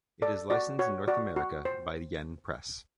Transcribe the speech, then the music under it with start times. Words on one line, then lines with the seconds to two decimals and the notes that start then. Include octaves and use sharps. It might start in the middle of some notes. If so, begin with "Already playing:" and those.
It is licensed in North America by Yen Press.
0.22 A4 D5
0.50 F#4 D5
0.79 F#4 C#5
1.08 F#4 D5
1.36 F#4
1.65 C5